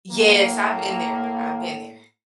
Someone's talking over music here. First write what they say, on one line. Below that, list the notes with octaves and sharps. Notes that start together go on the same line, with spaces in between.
Yes, I've been there. I've been there.
A2 A#3